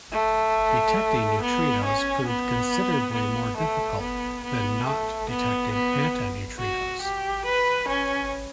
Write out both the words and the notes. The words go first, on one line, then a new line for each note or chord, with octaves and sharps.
Detecting neutrinos proved considerably more difficult than not detecting antineutrinos.
A3
B3
C#4
B3
B3
A3
B3
B3
A3
B3
B3
F#4
G4
B4
C#4